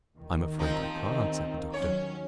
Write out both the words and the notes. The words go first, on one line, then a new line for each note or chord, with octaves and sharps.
"I am afraid I can't," said the Doctor.
D#2 D#3
F3 C4 D#4
F#3 C#4 C#5